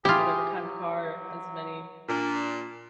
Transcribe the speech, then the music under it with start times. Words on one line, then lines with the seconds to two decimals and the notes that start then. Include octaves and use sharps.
whatever kind of car, as many
0.05 E4 F4 G4 G#4
0.63 F#3
2.09 A#2 D4